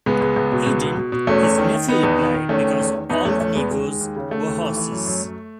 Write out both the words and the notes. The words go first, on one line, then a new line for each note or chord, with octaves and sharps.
He didn't, his nephew replied, because all the negroes were horses.
C#2 G#3 B3
C#2
C#2
B2
C#2
B2
B2
B2
E2 A3 C#4
E2
D#3
D#3
D#3 B3 D#4
E2
D#3
D#3
E2 A3 C#4
D#3
E2
D#3
E2 B3 D#4
E2 A3 C#4
E2 A3 C#4
E2 G#3 B3
D#2 G#3
D#2
D#2
C#3
C#3 A3
D#2
E3
E3
F#2
F#2
F#2